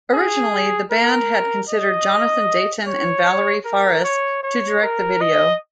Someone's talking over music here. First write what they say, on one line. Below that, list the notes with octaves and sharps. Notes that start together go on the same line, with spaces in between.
Originally, the band had considered Jonathan Dayton and Valerie Faris to direct the video.
G#4
A#4
D#5
C#5
A#4
C#5
C#5
A#4
D#5